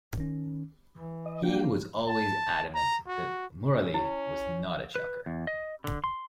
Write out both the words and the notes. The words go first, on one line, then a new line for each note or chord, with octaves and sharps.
He was always adamant that Murali was not a chucker.
D#3 C#4
E3
D#5
A#3 D4 F#4 G5
A5
A#5
F#4
C#4
C#4 E4
B4
E2
D#5
D3
C6